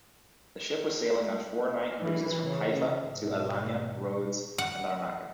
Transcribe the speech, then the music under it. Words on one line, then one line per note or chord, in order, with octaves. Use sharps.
The ship was sailing on four-night cruises from Haifa to Alanya, Rhodes and Larnaca.
E3
C#3
G#1 B2
F#5